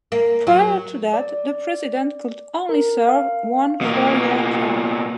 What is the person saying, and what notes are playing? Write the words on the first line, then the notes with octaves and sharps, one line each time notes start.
Prior to that, the president could only serve one four-year term.
A#3
F#3
D5
A#4
F5
B2 A#3